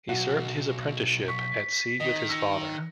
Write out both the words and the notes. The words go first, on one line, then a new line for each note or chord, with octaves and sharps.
He served his apprenticeship at sea with his father.
B1 F#4
C#6 B6
D#3 D#5
E6 A#6 C#7